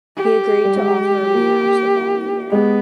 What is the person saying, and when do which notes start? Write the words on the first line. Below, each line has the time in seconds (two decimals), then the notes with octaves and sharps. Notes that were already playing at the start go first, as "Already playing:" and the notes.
He agreed to offer a rematch the following year.
0.17 G4
0.64 G3
0.75 G#3
1.34 A#3
2.51 G#3 B3